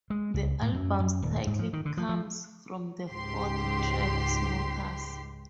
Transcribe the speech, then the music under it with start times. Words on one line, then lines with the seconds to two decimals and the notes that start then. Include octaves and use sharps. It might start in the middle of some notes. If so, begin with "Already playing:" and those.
The album's title comes from the fourth track, "Smokers".
0.10 G#3
0.34 C#2
0.62 A2
0.74 F#2
0.99 F#2
1.22 D#1
1.47 G#2
1.59 F3
1.73 D#3
1.85 D3
1.97 F3
2.09 F3
3.10 C#2 G#2 G4 C6